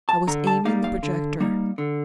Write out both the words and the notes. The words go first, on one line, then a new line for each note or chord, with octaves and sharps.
I was aiming the projector.
A5
D3 A#5
A5
G3 A#3 D#4 F5
F5
D3
G3 A#3 D#4
D3